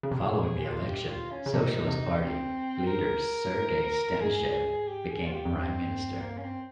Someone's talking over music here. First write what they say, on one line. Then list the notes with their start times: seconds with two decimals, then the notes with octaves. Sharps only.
Following the election, Socialist Party leader Sergei Stanishev became Prime Minister.
0.03 C#3
0.11 C3
0.20 A#2 G#4
0.42 G#4
0.59 G4
0.64 F4
0.87 G4
1.09 F4
1.31 C#4
1.46 C#3
1.54 C3 D#4
1.87 C3
2.21 C4
2.87 A#4
4.20 G#2 G#4
4.88 G4
5.10 G#4
5.26 F4
5.32 G4
5.45 F2
5.54 G2 C4
6.21 A#3
6.38 C#4
6.43 C4